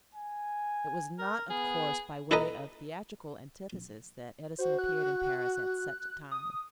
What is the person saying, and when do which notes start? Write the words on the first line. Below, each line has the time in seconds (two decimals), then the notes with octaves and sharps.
It was not, of course, by way of theatrical antithesis that Edison appeared in Paris at such a time.
0.15 G#5
1.19 A#4
1.50 B3 G#4
2.31 E4 A4 B4 D#5 A#5
4.58 F#4 C5
4.79 F#6
6.31 D#6